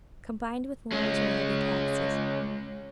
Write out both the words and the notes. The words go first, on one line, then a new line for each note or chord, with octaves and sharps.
Combined with loans were heavy taxes.
G#3 C#4